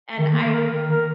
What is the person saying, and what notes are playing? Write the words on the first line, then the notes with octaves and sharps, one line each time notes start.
and I
D#3
A#3
A#4
D#3
A#4